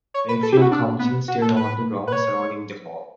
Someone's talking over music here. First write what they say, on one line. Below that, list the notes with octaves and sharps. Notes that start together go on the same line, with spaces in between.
Wakefield Council still owned the grounds surrounding the hall.
C#5
B4
A4
G4
E4
F#4
D4
B3
F#4
A4
B4
B4
C#5